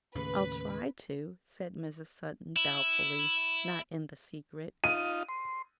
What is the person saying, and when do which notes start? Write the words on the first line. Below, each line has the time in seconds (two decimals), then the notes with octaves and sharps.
'I'll try to,' said Mrs. Sutton doubtfully--not in the secret.
0.15 D#2 A2 C#3 B4
2.56 E4
4.84 D#4 F4 D#7
5.29 C6